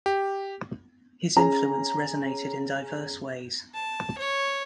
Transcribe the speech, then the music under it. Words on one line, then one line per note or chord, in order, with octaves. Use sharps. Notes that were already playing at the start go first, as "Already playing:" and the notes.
His influence resonated in diverse ways.
G4
C#4 G#4 A#5
A5
C#5